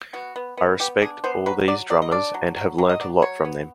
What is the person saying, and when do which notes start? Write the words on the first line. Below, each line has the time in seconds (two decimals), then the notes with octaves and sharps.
I respect all these drummers and have learnt a lot from them.
0.13 B3 F#4
0.36 B3
0.57 B3
0.80 B3 G4
1.02 D4 G#4
1.24 B3 C5
1.46 F#3 B4
1.68 F#3 D5
1.90 F#3 D5
2.02 D#5
2.12 D4 D5
2.34 F#3
2.56 F#3
2.78 F#3
2.89 D#5
3.00 F#3 D5
3.22 F#3 C#5
3.45 B3